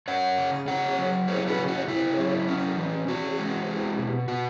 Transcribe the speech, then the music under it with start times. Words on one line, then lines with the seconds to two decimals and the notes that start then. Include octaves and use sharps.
She was president of the Mexican Education Society.
0.08 C#4 C#5 F#5
0.38 C#3
0.68 C#3 C#5 F#5
0.98 F#3
1.28 E4 G#4 C#5
1.48 F#4 B4
1.58 C#3
1.68 F#4
1.88 C#3 E4
2.18 F#3
2.48 C#4
2.78 E3
3.08 E3 F#4
3.39 G#3
3.68 E4
3.98 B2
4.28 B2 F#4